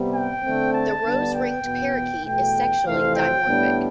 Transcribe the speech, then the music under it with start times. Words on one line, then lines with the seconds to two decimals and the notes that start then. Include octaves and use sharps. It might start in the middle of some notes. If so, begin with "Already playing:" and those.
The rose-ringed parakeet is sexually dimorphic.
Already playing: C3 G3 B3
0.14 G5
0.44 D3 A3 C4
0.74 A5
1.04 D3 G3 B3 D4
1.34 G5
1.64 E2 B2 B3
2.25 E2 B2 A3 G5
2.85 F2 C3 E3 A3 C4 F5
3.15 G5
3.46 A2 G3 B3 D4